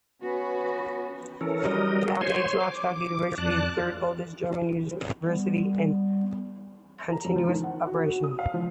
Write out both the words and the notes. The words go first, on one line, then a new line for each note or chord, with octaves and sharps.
That makes Rostock University the third oldest German university in continuous operation.
B3 C#4 F#4 B4
E3 C#4 A4 A#4
F#3 G3 A#4 D#5
C5 C#5 G#5 C6
D6
F2 D5 A5 F#6
F4
G3 B3
A#5
F2
F3
D#3
F#5
F#4
F#4
D#6
F5
F3